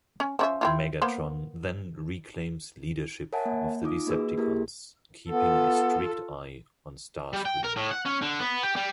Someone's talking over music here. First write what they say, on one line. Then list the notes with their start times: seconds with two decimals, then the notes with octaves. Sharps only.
Megatron then reclaims leadership of the Decepticons, keeping a strict eye on Starscream.
0.20 C#4
0.39 F3 C#4 E5
0.61 C4 E4 F4
1.02 A#3 B3 C5
3.33 A#4 C#5 E5 F#5 G#5 A5
3.46 A#3
3.83 D#4 F4 D6 D#6
4.07 A#3 F#4 G#4 B4 E6
4.38 A#3 E4 G4 G#4 A#4
5.30 B3 F4 A4
7.33 G3
7.45 G5
7.64 A#4
7.76 A2
7.91 F#5
8.05 C#4
8.22 D3
8.40 B3
8.63 G4
8.76 G3